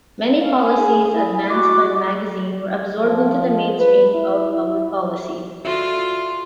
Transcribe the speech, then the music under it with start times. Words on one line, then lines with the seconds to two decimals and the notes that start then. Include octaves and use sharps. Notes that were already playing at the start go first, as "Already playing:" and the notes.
Many policies advanced by the magazine were absorbed into the mainstream of public policy.
0.40 C#4 F5
0.62 C5 G#5
0.75 G#4
1.14 E4
1.50 F#4 D6
3.03 F3
3.46 F3
3.79 B4
4.13 E4
4.52 E4
5.65 F4 F#4 A4 E5